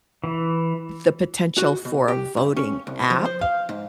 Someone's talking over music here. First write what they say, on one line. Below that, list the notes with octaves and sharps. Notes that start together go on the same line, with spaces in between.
the potential for a voting app,
E3
F#4
B2
G4
G2
C#4
C2
F3
C5
F5
G#2